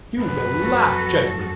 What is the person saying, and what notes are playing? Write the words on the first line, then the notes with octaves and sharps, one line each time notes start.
You will laugh, gentlemen.
F#2 F3 B4
F#4 A4